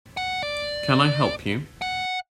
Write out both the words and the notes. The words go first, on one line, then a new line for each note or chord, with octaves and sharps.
Can I help you?
F#5
D5
F#5